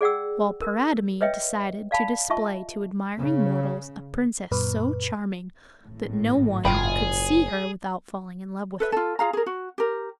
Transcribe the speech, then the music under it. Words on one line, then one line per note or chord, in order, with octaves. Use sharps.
While Paridamie decided to display to admiring mortals a Princess so charming that no one could see her without falling in love with her.
G#4 D5 F#5 G5 E6
A#4
B4 C#5 D#5 E5 G5
D5 F5 A5 B5
F4 D#5 E5 A5 C#6
C#3
F#2 A#2 B4
G#1 A2
F#1 F4 G#4 G5 B5
A4 B4 E5
F4 A4
F4 G#4 F5 A#5
G#4 A#4
F#4
G4 A#4